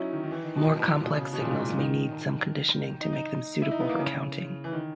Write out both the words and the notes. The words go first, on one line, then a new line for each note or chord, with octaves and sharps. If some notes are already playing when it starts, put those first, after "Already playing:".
More complex signals may need some conditioning to make them suitable for counting.
Already playing: F#3 C#4 D#4 E4
D#3
D#3
E3
D#3
B2
A#2
B2
C#3
B2
A#2
G#2
A#2
D#3
D#4
D#4
E4
D#4
B3
A#3
C#3
E3
D#3